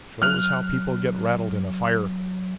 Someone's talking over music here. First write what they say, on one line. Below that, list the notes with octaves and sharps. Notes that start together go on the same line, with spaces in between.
Shows how people get rattled in a fire.
F#3 F6 F#6 F7